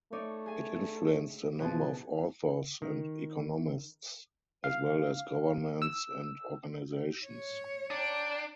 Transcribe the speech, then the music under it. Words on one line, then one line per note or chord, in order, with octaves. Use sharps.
It influenced a number of authors and economists, as well as governments and organizations.
A3 D#4 C#5 D5
G#4 G#5
B2 F3 G#4 A5
D#3
F5
E6
C#5
D4 G5 A#5